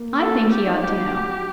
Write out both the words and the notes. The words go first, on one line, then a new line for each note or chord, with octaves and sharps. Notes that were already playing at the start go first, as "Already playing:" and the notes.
I think he ought to know.
Already playing: A#3
A4
G4
D#4
F#4 G4
D#4
F#4